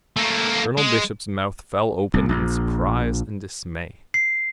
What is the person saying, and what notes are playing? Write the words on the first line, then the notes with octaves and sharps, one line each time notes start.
Colonel Bishop's mouth fell open in surprise and dismay.
A3 A#3
G#3
C2
A#1
C7